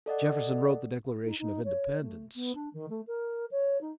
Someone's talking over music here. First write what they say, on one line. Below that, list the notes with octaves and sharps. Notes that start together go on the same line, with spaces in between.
Jefferson wrote the Declaration of Independence.
A4 D5 D#5 F#5
D#4
D#4
C#5
A3
B3
D4
D#3
A3
A#4
C#5
D#4